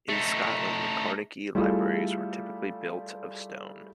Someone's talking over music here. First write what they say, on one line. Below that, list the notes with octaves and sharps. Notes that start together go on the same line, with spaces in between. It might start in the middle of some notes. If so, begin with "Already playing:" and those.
In Scotland the Carnegie libraries were typically built of stone.
A3 D#4
G3 A3 E4 F4 G#4 A4